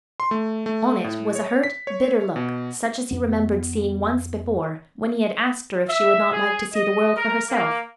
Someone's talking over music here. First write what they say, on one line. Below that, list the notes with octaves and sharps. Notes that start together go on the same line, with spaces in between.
On it was a hurt, bitter look, such as he remembered seeing once before, when he had asked her if she would not like to see the world for herself.
C6
A3
A3
A2
C#5
B6
C#5
B2
F2 B3
E5
G#4
D#5
A#4
A#3